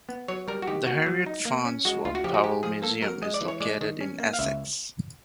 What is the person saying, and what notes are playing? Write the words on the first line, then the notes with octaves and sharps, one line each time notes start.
The Harriet Farnsworth Powell Museum is located in Essex.
B3
F#3 C#5
G3 A#4
F#4
D#3 G4
A#3 F#4
F#3
D#4
A#3
C#4
G#3 F#4
D2 F4
F#4
F3 G4
F#4
G#3 G4
F3 G#4
A#3 A4
F#3 A#4
G#3 D#5
D5
E3
C#5
G#3 D5
D#3
C#4
A#3
F5
C#2 E5